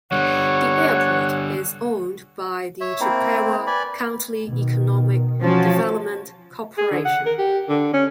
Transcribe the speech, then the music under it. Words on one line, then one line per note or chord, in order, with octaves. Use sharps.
The airport is owned by the Chippewa County Economic Development Corporation.
D3 G3 C#5 F#5
C#5 E5
A#3 C4 E4
B4 D5 G#5 B5
B2 D#3
F3 C#4 F#4 A5
G#4
D3
F#5
A#4
G4
D3
C#4